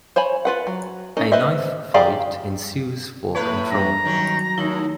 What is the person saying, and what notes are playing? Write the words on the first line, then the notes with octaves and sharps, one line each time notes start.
A knife fight ensues for control.
C5 C#5 G#5 B5
F4 B4 F#5
F#3
C#4 D#4 A#4
B4 C5 D#5 E5
G4 G#4 D5 F5 A#5
A2 A#3 B4 C#5
G2 G3 A#5
D#3 F#3 C#4
D#2 A3 D#4 E4